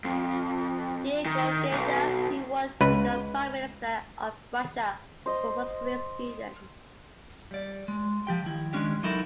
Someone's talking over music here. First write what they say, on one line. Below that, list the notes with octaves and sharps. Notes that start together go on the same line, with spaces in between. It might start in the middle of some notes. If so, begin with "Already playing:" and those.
Yegor Gaidar, who would become Prime Minister of Russia, was one of his students.
F2
D#3
B1
C#2 B4
C5 D#5
G3 D5
G#3
F3 G4 G5
D#3 E4
D#3 G#3 C#4 D4 G4
F#3 D#4 E4 A4 A#4